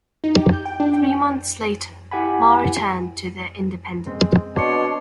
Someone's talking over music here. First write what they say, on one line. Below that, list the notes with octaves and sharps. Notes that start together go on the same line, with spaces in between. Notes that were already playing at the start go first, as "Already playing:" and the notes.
Three months later, Marr returned to "The Independent".
D#4
G4
G6
G5
D4
G5
E4 G4 F#5 G#5 B5
G#3 C4
B2 D4 C#5 D#5 C6 D6 C#7